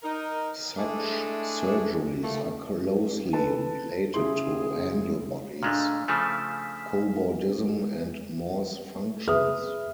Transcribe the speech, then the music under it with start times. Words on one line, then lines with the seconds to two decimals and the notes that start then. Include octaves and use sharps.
Such surgeries are closely related to handlebodies, cobordism and Morse functions.
0.03 D#4 A#4
0.77 G#3 A3 D4 E4 G#4 A4
2.23 A3 A#3
3.33 A4 B4 A5
4.14 C#3 E4 G#4 C6
5.63 A#2 G#3 A3 D4 F6
6.08 C#3 F3 A3 G#5 B6 E7
9.28 G#4 B4 E5 D#6 F6